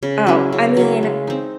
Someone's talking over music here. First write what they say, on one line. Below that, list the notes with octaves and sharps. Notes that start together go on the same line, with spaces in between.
Oh, I mean,
C#3
F#3 C#4 E4
C#3
F#3 C#4 E4
G#3
C4 D#4